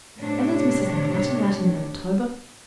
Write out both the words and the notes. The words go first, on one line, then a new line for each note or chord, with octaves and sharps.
And there's Mrs. Martin out in Manitoba.
A2 C3 D4 G4 C#5